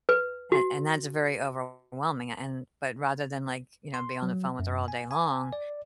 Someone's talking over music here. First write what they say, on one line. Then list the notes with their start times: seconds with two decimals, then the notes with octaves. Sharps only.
and and that's very overwhelming. And but rather than, like, you know, be on the phone with her all day long,
0.09 B4
0.52 F#4
3.94 C6
4.22 F#3
4.59 F#2
4.88 G#5
5.11 G#5
5.53 D5